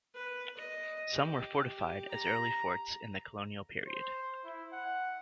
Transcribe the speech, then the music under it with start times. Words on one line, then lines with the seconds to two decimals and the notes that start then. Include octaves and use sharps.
Some were fortified as early forts in the colonial period.
0.15 B4
0.57 D#5
1.11 G4
2.11 A#5
3.87 C5
4.45 E4
4.73 F#5